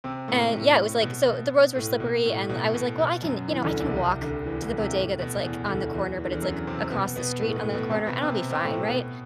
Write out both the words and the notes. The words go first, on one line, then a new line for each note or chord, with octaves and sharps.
and yeah, it was, like so the roads were slippery, and I was, like, "Well, I can, you know I can walk to the bodega, that's, like, on the corner, but it's, like, across the street on the corner, I'll be fine, right?"
C3 C4
A2 A3
A2 A3
B2
B2
A2
B2
A2
B2
B2
B2
F#2 F#3
E2 E3
E3
D2 D3
C2 C3
C2 C3
D2 D3
E2 E3
D2 D3
C2 C3
A2
B2
E2 E3
D2 D3
E2 E3
E3
D3
E2 E3
F#2 F#3
C3 C4
B2 B3
B2 B3
A2 A3
A2 A3
B2 B3
C3 C4
B2 B3
C3 C4
C3 C4
A2 A3
B2 B3